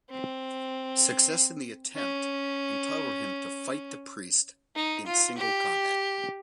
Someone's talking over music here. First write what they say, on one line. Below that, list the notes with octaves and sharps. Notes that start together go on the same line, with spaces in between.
Success in the attempt entitled him to fight the priest in single combat.
C4
C#4
D#4
F4
G4